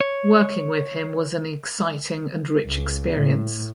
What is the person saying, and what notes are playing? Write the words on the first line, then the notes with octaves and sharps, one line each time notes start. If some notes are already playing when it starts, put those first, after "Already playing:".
Working with him was an exciting and rich experience.
C#5
C#2
A2